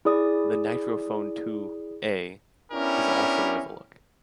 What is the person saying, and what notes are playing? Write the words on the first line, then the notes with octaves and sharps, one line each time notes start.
The "NitroPhone two a" is also worth a look.
E4 G#4 D5 D#6
B3 C#4 D4 E4 G4 A#4